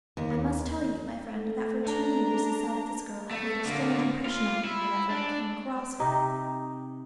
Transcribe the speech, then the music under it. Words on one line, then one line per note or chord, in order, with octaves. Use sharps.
I must tell you, my friend, that for two years the sight of this girl had made a strange impression on me whenever I came across her.
D#2
A3
D4 A#5
A3
D3 A#3
F4
E4
D4
C3 D#4 G4